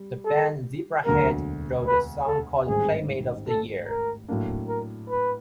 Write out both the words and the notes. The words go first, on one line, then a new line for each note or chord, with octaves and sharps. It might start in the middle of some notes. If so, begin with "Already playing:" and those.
The band Zebrahead wrote a song called Playmate of the Year.
Already playing: G3
A4
E1 D2 D3 F#3 A#3 A#4
B4
A4
A1 G#2 D#3 G3 C4 G#4
A4
A#4
A2 F#3 A#3 D4
A#4
B4